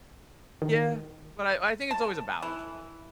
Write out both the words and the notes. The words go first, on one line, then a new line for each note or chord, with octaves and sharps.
Yeah. But I I think it's always a balance, really.
D#3
A5
E3